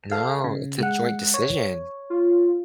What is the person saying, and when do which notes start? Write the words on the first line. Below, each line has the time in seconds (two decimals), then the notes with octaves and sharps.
No. It's a joint decision.
0.12 A4 F5
0.44 C#3
0.79 G#3 F#5
1.34 C#5
2.10 F4